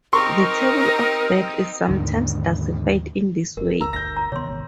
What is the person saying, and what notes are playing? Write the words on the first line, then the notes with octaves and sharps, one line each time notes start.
The Table of Death is sometimes classified in this way.
C4 D#4 G4 A#4 C6 C#6
D#2 G#2 D3 D#3
F#1 A#4
D2 A#5 E6
G1 D2 G6 A#6
A#5
C3 D#3 B3 C#5 C6
G#1